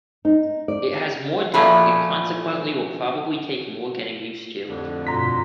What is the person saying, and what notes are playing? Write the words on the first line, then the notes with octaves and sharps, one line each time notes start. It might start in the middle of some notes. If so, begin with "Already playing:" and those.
It has more depth and consequently will probably take more getting used to.
D#4
D5
A#2 F3 A3 C#4 B4
F2 A2 D3
G2 B2 F4 A#5 C6 B6